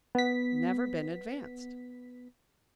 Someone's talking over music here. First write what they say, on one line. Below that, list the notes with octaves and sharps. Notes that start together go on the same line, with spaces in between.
Never been advanced.
B3 B6